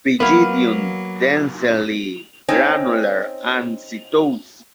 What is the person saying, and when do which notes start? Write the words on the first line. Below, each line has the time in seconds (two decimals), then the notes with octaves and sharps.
Pygidium densely granular and setose.
0.20 F#3 A#3 B3 E4 B4 E5 F5
2.49 C4 C#4 D#4